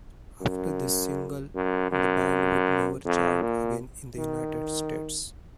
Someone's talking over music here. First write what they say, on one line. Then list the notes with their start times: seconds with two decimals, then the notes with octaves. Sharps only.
After this single, the band would never chart again in the United States.
0.41 F#2
1.55 F#2
1.92 F#2
3.05 F2
3.42 A#2
4.18 D#3